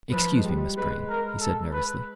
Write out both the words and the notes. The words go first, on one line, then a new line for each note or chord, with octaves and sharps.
"Excuse me, Miss Vrain," he said nervously.
F3 B4
G#3
G3
G#3 B4
A#4
A4
B4